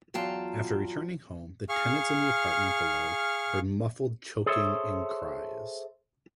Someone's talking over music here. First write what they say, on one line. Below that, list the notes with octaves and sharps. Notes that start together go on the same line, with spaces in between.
After returning home, the tenants in the apartment below heard muffled choking and cries.
E2 F#3 F4 G5 A5 A#5
G#4 F5 C#6 F6
G#4 A4 C5 C#5 E5